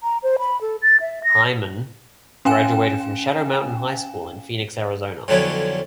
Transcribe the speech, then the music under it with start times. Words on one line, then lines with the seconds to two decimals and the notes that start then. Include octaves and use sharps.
Hyman graduated from Shadow Mountain High School in Phoenix, Arizona.
0.03 A#5
0.23 C5
0.39 B5
0.61 A4
0.82 A6
1.01 E5
1.24 A#6
2.45 C#4 F5 G5 G#5 E7
5.28 F2 D3 F#3 B3 C#4 E4